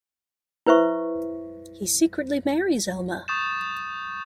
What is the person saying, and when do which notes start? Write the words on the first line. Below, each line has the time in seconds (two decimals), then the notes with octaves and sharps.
He secretly marries Elma.
0.66 E4 B4 C5 E5 C#6
3.28 C#6 D#6 G6 A6 E7